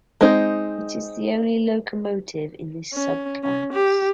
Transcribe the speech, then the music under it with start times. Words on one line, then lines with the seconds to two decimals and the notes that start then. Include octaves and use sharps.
It is the only locomotive in this sub-class.
0.21 G#3 C4 D#4 C5
2.93 C#4
3.43 C#4
3.72 G4